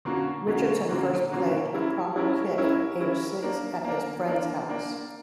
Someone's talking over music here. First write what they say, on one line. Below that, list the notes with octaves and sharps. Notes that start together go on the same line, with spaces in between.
Richardson first played a proper kit aged six at his friends house.
D3 A#3 C#4 F#4
D3 A#3 C#4 F#4
D3 A#3 C#4 F#4
D3 A#3 C#4 F#4
G3 C#4 E4 A#4
G3 C#4 E4 A#4
G3 C#4 E4 A#4
G3 C#4 E4 A#4
A#3 D4 A#4
A#3 D4 A#4
A#3 D4 A#4
A#3 D4 A#4